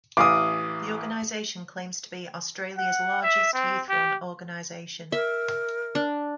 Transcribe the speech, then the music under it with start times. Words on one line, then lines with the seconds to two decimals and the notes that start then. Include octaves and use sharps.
The organisation claims to be Australia's largest youth-run organisation.
0.17 A1 E3 F5 D6 D#6
2.77 F#5
3.23 E5
3.53 C4
3.89 G4
5.12 A#4 E5
5.95 D4